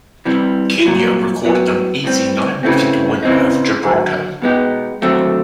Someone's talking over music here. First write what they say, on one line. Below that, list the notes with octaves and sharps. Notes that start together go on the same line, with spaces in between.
Kenya recorded an easy nine-wicket win over Gibraltar.
C3 E3 G3
C2 A#2 F#3
A2 F#3 B3
A2 E3 G3 C4
C#3 E3 A3 C4
C#3 E3 G#3 C4 D#4
D#2 D3 F#3
B2 G#3 B3 D#4 G4
D#2 D3 F#3 A3 C4